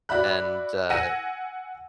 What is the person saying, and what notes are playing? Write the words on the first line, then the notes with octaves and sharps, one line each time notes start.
And, uh
F#4 D5 E5 B5 F#6
F#5 G#5 E6 A#6 D#7